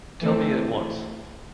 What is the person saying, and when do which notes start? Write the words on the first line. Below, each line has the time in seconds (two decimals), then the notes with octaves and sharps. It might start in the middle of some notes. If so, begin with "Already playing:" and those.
Tell me at once.
0.20 E3 A3 C4